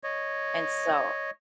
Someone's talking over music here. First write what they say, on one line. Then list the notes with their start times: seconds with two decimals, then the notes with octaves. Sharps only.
And so
0.04 C#5 D#5